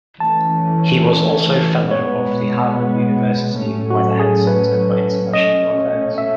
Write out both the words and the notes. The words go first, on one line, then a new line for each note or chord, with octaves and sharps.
He was also fellow of the Harvard University Weatherhead Center for International Affairs.
E3 A3 C#4 A5
B2 G#3 B3 C#5
A2 F#3 A3 C#4
F#4
G#4
B4
B2 A3 C#4 D#5
E5